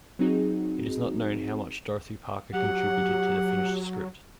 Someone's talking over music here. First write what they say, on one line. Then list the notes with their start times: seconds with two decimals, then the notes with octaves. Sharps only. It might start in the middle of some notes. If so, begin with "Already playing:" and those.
It is not known how much Dorothy Parker contributed to the finished script.
0.19 F#3 C4 D#4 F#4 G#4
2.53 F#3 G4 F#5